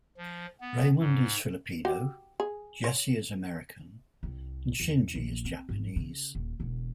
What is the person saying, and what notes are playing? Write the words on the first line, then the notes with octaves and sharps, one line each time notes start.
Raimund is Filipino, Jesse is American, and Shinji is Japanese.
F3
B3
G#2
F#4 G4
G#4
C#5
C2
E2
A#1
C4
G#1
C#3
D#1
E1